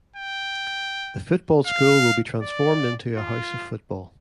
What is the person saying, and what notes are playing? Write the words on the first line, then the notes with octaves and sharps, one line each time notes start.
The football school will be transformed into a House of Football.
G5
F5
D5
F4